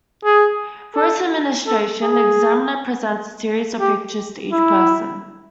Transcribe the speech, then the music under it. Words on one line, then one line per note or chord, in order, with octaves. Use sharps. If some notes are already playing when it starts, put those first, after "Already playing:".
For its administration, the examiner presents a series of pictures to each person.
G#4
A4
A4
G#4
G4
E4